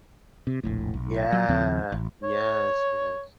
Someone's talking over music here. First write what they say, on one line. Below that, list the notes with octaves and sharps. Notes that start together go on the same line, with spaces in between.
Yeah. Yes, yes.
C3
E1 A#1 A2
B1
F#3
D#2 C#3 F3 C4
A1
C#5